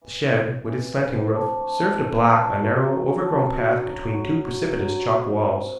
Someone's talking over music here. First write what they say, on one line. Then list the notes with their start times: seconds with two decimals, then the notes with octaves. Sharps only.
The shed, with its slanting roof, served to block a narrow, overgrown path between two precipitous chalk walls.
0.02 E3
0.33 E4
0.65 E3
0.96 C4
1.28 D4
1.60 A3
1.91 E3
2.24 A3
2.55 F#3
2.87 F#3
3.18 D3
3.50 F#2
3.82 F#3
4.13 F#4
4.45 F#3
4.77 F#3
5.08 C3
5.40 C3